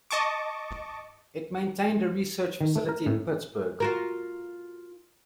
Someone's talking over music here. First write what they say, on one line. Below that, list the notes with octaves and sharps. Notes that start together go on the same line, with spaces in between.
It maintained a research facility in Pittsburgh.
D#5 A5 C#6 D6
D#3
A3
A#4
A2
F4 F#4 A#4